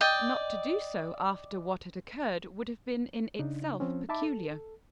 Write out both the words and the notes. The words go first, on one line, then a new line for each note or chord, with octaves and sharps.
Not to do so after what had occurred would have been in itself peculiar.
D5 D#5 G5
C#3 D4 D#4
F3 C4 C#4
D#4 E5 A5 B5 D6
A4